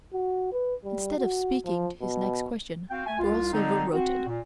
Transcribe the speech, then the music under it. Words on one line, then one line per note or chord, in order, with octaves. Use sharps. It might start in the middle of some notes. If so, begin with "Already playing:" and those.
Instead of speaking his next question, Borlsover wrote it.
F#4
B4
G3
F#4
F3
B2
C4 F#4 F5 G5
A3 G#5
C2 F4
D3 G3 G#3 C4 D#4
C4 F#4
A#2